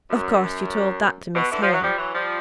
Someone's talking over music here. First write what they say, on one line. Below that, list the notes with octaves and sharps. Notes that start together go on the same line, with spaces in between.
'Of course you told that to Miss Hale?'
F#2
B2
D3 E3
F3
F#3
F3 G3
E3 F#3
F3 G3